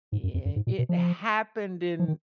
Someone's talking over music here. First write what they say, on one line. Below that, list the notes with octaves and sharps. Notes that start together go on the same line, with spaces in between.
yeah, it happened in
G#2
F#2
F2
F#2
G#2
A#2
B2
F3
F3
D#3